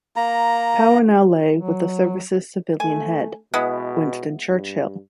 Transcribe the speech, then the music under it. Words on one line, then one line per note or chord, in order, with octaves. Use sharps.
Power now lay with the service's civilian head ... Winston Churchill.
A#3 A#5
F#3
A3 G#5
B2 G#3 B3 E4
G2